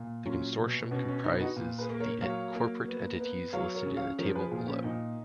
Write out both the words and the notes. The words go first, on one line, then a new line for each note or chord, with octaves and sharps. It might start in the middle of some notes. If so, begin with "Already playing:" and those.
The consortium comprises the corporate entities listed in the table below.
Already playing: A#2
F#3 C#4 F4
B2
B2 C#4
C#4
B3 D#4
D#4 F#4
A#2
G#4 B4
A#3
A#4 C#5
F#3 C#5 F5
A#3
B3
B3
F#3 C#5 F5
A#4 C#5
C#3
C#5 F5
F3 A#4 C#5
G#4 B4
A#2 F4 G#4
C#4
A#2 D#4